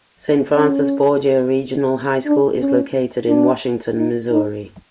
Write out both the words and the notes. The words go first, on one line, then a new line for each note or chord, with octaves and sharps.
Saint Francis Borgia Regional High School is located in Washington, Missouri.
C#4
D4
C#4
D4
D#4
D#4